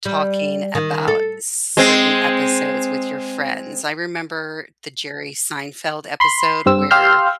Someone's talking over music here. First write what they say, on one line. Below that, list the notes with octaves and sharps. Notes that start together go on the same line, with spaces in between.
talking about certain episodes with your friends? I remember the Jerry Seinfeld episode where
G3
D#3
A4
G#3 C4
B5 C6
G2 C4 E6
G4 F5 C6 E6 F6 G6